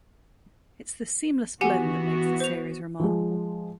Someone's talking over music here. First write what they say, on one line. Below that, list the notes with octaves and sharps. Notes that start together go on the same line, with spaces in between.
It’s this seamless blend that makes the series remarkable.
E3 B3 F#4 G4 F#5 G#5
C5 F7
F3 G#3